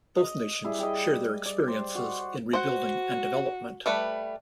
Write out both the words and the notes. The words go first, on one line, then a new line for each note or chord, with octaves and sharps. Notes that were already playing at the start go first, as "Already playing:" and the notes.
Both nations share their experiences in rebuilding and development.
D#5
G3 E4 G#4
D#5 G5
D5
C5
F#4
F#4 C5 F#5
G3 A3 B4